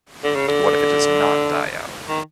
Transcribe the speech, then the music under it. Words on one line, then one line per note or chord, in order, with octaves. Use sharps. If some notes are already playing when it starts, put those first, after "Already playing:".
What if it does not die out?
D3
C#3
D3
D#3